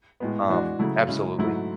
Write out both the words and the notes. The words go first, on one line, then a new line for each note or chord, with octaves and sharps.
um, absolutely.
A2 G#3 B3
E3 G#3 D4 F#4
C#3 F#3 A3 E4
C#3 G#3 C#4 E4
G#2 F#3 A3 E4